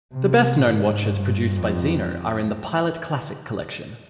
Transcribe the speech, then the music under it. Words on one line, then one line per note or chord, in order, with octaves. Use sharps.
The best known watches produced by Zeno are in the "Pilot Classic" collection.
C3
G#2
G2
F2